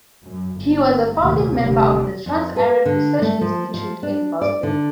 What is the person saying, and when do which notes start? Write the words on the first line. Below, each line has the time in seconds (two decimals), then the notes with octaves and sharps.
He was a founding member of the Trans-Arab Research Institute in Boston.
0.24 F#2
0.58 G1
1.16 F1 D#2 A#2
1.60 F1 D3 G3
2.26 F2
2.56 B4
2.85 D3
3.22 A3
3.41 F3
3.74 F3
4.03 D4
4.41 D5
4.63 D3